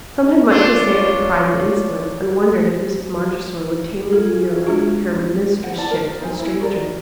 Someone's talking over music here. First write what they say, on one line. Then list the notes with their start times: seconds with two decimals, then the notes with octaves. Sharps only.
Some had much to say of her pride and insolence, and wondered if Mrs. Montressor would tamely yield her mistress-ship to the stranger.
0.50 C#4 D4 F4
4.13 F4 G#4 A4
4.67 G#3 D4 F#4
5.60 C5 F#5
5.76 E4 D5 A5
5.91 A#4
6.21 D#4 C5 E5 G#5
6.39 E4
6.59 F#4 G#4 A#4 D5